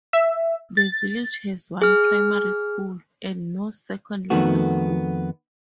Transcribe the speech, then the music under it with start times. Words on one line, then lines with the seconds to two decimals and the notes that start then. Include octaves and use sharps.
The village has one primary school, and no second level school.
0.13 E5
0.77 A6
1.82 G#4 F6
4.30 F2 D#3 A3 B3 F#4